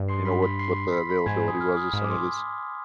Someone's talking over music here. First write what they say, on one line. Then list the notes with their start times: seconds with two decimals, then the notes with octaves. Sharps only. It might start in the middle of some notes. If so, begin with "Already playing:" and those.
you know, what what the availability was of some of this.
Already playing: G2
0.08 C6 C7
0.25 B5 B6
0.42 B5 B6
0.59 C6 C7
0.76 C6 C7
0.93 B5 B6
1.10 B5 B6
1.26 G#2 G#5 G#6
1.48 D#6
1.60 F6
1.77 D#6
1.93 G#2 D#6
2.04 D6
2.10 C6